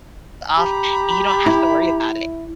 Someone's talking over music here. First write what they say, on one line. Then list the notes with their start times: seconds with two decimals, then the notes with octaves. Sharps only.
off, and you don't have to worry about it.
0.56 G4 A#5 B5
1.46 E4